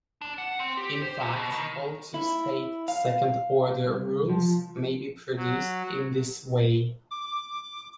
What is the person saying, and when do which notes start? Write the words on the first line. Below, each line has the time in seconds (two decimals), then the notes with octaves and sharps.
In fact, all two-state second-order rules may be produced in this way.
0.21 D4
0.38 F#5
0.59 C4
0.77 G4
1.02 C5
1.20 C3
1.36 B2
1.52 D#3
2.14 E4
2.88 F5
3.86 C2
4.30 F3
5.37 F#3
7.11 D6